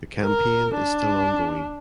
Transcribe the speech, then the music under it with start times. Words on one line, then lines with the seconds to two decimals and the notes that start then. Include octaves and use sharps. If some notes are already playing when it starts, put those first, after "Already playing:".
The campaign is still ongoing.
0.25 A#4
0.76 D4